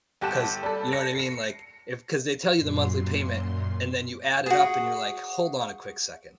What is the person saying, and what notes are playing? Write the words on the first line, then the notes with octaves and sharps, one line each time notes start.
'Cause, you know, what I mean? Like, if 'cause they tell you the monthly payment, and then you add it up, and you're like, "Hold on a quick second.
G1 G4 F#5 A5 E7
G3 A4
A#6 C#7
C7 C#7
F#2 A#2 C6
F#4 G#4